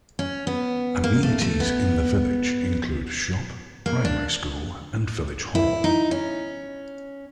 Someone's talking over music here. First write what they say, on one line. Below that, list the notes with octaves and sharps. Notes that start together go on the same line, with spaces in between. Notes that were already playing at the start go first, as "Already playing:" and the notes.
Amenities in the village include a shop, primary school and village hall.
C#4
B3
A#3
A3
A3
B3
A#3
D4
E4
D#4
C#4